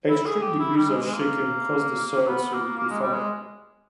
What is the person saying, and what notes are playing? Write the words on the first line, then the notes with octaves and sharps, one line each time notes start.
Extreme degrees of shaking caused the soil to liquefy.
E4
G#4
G4
E4
G3
G#3
G#3
A#3
B3
A#3
A#3
G#3
G3
G#3